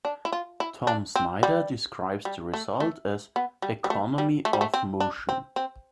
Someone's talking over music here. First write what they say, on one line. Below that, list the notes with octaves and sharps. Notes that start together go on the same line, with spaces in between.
Tom Snyder describes the result as "economy of motion".
D4
E4
F4
E4
D4
C4
G3
G3
A3
A3
B3
G3
G3
A3
G3
A3
G3
A3
C4
D4
C4
C4